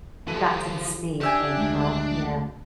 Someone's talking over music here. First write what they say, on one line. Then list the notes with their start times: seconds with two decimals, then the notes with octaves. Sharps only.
got to the snake and, well, yeah.
0.28 E3 F3 G3 G#4 A4
1.21 D4 G4 E5 G#5
1.57 D2 G#3